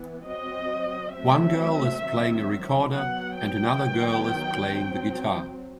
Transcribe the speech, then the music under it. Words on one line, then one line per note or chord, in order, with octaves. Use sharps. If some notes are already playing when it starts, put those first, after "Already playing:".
One girl is playing a recorder and another girl is playing the guitar.
Already playing: E3 B3
F#3 C4 D#5
F#3 A3 C4 E5
D#3 F#3 C4
F#3 B3 F#5
G5
D#3 F#3 B3
F#3 C4